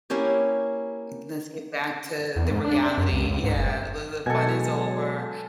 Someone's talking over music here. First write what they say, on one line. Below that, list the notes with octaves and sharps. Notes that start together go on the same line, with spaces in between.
M let's get back to the reality, yeah, well, the fun is over
A#3 C#4 E4 G4
E2
G#2
D4
D4
F#2
C#2
C#2
G#2
F#1
B2 F#3 G#3 A4 G#5